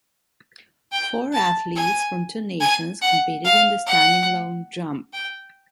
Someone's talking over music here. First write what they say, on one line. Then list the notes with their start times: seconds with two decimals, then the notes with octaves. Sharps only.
Four athletes from two nations competed in the standing long jump.
0.92 G5
1.33 A5
1.76 G#5
2.60 G#5
3.02 F#5
3.45 F5
3.86 F#5
5.13 G5